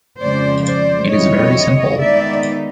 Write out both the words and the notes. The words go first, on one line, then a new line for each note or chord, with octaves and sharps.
It is very simple.
F2 C#3 F3 G#3 C5 D5
C5 D5
F2 D3 G3 C4 E4 C#5 D#5
D#3 G#3 B3 D#4 D5 E5